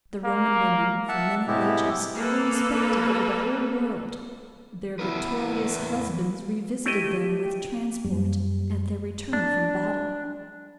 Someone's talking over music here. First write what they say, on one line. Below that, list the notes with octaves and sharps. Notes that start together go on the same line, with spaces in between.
The Roman women, for many ages, were respected over the whole world. Their victorious husbands re-visited them with transport, at their return from battle.
A#3
E5 F#5 A5
A2 C3 G#3 B3 E4 G4
A#3 A4 B4
E3 B3 E4 A#4 B4
A3 E4 G4 D#5
F#2 G3
D4